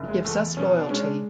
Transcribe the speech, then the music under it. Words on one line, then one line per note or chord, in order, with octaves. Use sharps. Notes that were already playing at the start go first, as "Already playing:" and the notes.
He gives us loyalty.
Already playing: F#1
G#3
E2 A3
B2 C#4
D4
G#3 C#4
D4